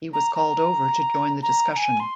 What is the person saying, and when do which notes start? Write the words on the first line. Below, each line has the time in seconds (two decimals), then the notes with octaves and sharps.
He was called over to join the discussion.
0.13 A#5
0.35 A#5
1.42 A#5
1.71 A#5
1.76 G#5
1.99 C6